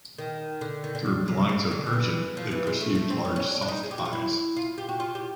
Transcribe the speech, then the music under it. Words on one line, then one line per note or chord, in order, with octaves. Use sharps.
Through blinds of persian, they perceived large soft eyes.
D#3
D3
D#3
D3
C#3
C3
C#3
D3
D#3
E3
F3
E3
G#3
A3
A3
C4
C#4
C#4
D4
D4
D#4
G#4
G4
F#4
F4
E4
F4
G4
F#4
F4
G4